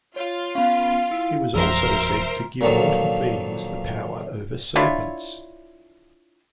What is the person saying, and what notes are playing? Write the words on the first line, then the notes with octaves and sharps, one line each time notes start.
He was also said to give to mortal beings the power over serpents.
F4 C#5
B3 C#4 F5
E4
A#1 F#2 F3 A#4 C5 E5 E6 A#6
A#2 D3 D#3 F3 F#3
D4 E4 F4 C#5